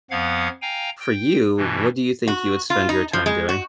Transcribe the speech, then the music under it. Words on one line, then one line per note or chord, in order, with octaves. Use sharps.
for you, what do you think you would spend your time doing?
F2 F3 B3 F5 F#5 G#6
F5 G5 G#5 A#5
G5
G2 B2 E3
F#4
F4
D#4
F3
G#3
F#4